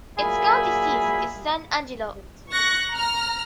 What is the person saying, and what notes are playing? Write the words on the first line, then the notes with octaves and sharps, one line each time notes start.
Its county seat is San Angelo.
A#2 F#3 A#3 G#4 E5 B5
C#6 F#6 A#6
A#5 F6